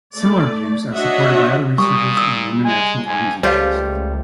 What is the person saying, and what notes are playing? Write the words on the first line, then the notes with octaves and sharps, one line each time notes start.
Similar views are supported by other researchers and international organizations.
A3 D5
D4 F#4 C#5 D#5 E5 F#5
A#2 G3 C#6 D#6
E6
G#3 G#5
F2 G#5
C#2 G3 A3 F4 G4 C5 C#5 F5